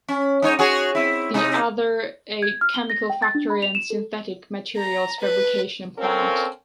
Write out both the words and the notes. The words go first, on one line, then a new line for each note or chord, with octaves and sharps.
The other a chemical factory and synthetic materials fabrication plant.
C#4
G#2 D#4 C#5
F#4 G#4 C#5
C4 E4
C3 D#4
G#6
F6
G7
A#6
G5
A6
D4
B5
F7
E7
A4
A#5
B4
C4 C#4 F4 A4 A#4 C#5